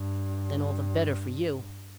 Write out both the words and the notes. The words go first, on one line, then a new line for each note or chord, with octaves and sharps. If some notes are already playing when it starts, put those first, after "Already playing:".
Then all the better for you.
Already playing: G2